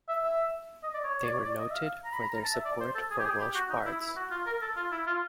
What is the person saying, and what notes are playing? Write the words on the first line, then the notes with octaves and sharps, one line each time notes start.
They were noted for their support for Welsh bards.
E5
E5
D#5
D5
C#5
C#5
D5
C#5
D5
D#5
E5
F5
A#5
B5
A#5
A#5
A5
E5
D5
C5
A4
G#4
G4
G#4
G4
F#4
D#4
E4
E4
F#4
F4
A#4
A4
F4
E4
F4